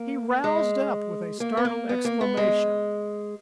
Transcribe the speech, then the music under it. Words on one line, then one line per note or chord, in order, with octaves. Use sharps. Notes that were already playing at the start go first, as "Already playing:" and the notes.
He roused up with a startled exclamation.
Already playing: A#3
G#3
A#3
B3
A#3
B3
A#3
B3
G#3